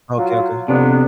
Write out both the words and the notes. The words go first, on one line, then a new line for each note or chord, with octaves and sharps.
Okay, okay.
F#3 F4
F2 C3 B3 D4